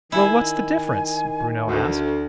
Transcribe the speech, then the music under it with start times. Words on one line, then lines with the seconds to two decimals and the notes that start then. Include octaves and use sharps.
"Well, what's the difference?" Bruno asked.
0.12 D#3 E4 G#5
1.67 D2